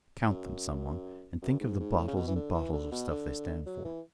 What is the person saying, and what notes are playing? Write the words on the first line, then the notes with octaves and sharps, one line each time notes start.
Count them, some one, and think of the bottles and bottles of stuff they stand for.
F#2
F#2
G#2
G#2
A2
C#3
B2
E3
D3
E3
D3
B2
D3
F#3
E3